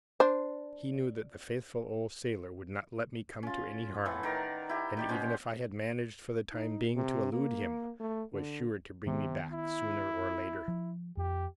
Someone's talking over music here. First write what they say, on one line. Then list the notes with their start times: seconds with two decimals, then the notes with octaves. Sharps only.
He knew that the faithful old sailor would not let me come to any harm, and even if I had managed for the time being to elude him, was sure to bring me back sooner or later.
0.20 D4 C5
3.43 C#4 F4
4.05 A2 E3 F#5
4.23 D#3 A#4 D5
4.69 E4 G4
4.97 D#3 G4 D5
5.09 B2 C#4 C5
6.53 D#4
6.96 C3
7.32 A#3
8.00 A3
8.33 D3
9.07 C3 D#3 B3
9.52 E4
10.68 F3
11.17 F2 G4